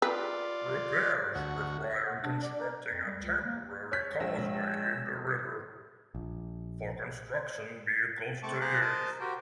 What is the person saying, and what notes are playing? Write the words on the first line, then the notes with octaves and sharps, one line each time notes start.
Repairs required constructing a temporary causeway in the river for construction vehicles to use.
F4 B4 D5
D2 F#4
F#5
D4
D5
A#4
F2
G3
C#2
A#3
C#5 B6
A#1 G#3 E6 A#6
A#1
A3 C4 A5 C#6 D6
G#4 C5 F5 A#5 D6 F#6
A#4 C5 D#5 A5
F#4 G4 A#4 C5 G5